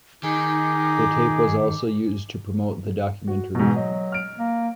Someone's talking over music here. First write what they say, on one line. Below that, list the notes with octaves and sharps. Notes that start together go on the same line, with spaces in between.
The tape was also used to promote "The Documentary".
D#3 D#4 G#4 D6
F#4
G#2 B2 E3
F#3 D#5
F6 D7
A#3